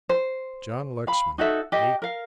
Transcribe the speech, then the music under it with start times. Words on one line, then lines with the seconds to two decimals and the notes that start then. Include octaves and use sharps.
John Lexman--A.
0.09 C5
1.07 F5 B5
1.38 D#4 F#4 A4 E5
1.72 G4 D#5 G5
2.02 A#4 F5